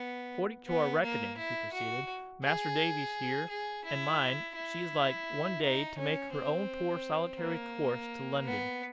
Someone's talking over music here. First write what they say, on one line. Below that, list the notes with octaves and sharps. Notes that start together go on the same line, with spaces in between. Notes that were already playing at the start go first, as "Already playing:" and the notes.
'According to our reckoning,' he proceeded, 'Mas'r Davy's here, and mine, she is like, one day, to make her own poor solitary course to London.
Already playing: B3
B3
A#3
E4
F#4
G#4
G#4
E4
E4
D#4
C#4
C4
A#3
B3